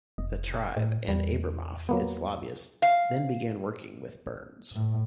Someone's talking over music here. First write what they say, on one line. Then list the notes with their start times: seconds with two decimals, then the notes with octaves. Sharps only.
The tribe, and Abramoff, its lobbyist, then began working with Burns.
0.18 F1 D#5
0.77 A2 G5
1.08 E2 G3
1.89 F#3 A#3 B3
2.82 F5
4.76 A2